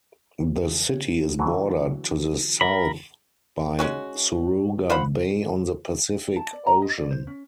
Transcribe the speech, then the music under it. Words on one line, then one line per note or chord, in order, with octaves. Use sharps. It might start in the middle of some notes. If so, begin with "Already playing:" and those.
The city is bordered to the south by Suruga Bay on the Pacific Ocean.
C#5
D3 E3 F#3
A#4 B5
G#3 C#4 F#4
F3 C5 F#5 B5
A5
D5
A#5
D#5
D5
C5
C#4